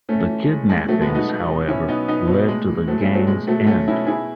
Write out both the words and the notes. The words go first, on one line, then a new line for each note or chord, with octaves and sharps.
The kidnappings, however, led to the gang's end.
A2 A3 C#4
E3
E3 G#3
A2 G#3
B2 F#3 A3
G#3 B3
B2
D#4 F#4
B2
B2
B2 C#4 E4
B2 B3 D#4
B2 B3 D#4
B2 F#3
A2 G#3
E3
E3 F#3 A3
A3 C#4
A2
F#3 A3
B2 G#3
B2 F#3 A3
B2 A3 C#4
B2 C#4 E4
B2 E4 G#4